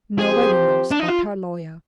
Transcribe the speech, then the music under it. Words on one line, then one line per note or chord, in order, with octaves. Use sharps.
"Nobody knows but her lawyer."
F3 C4 G4 G#4 C5
D4
D#4
F4